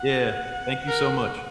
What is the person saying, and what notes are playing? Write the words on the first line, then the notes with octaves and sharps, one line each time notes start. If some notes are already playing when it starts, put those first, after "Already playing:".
Yeah. Thank you so much.
Already playing: F#5
A#4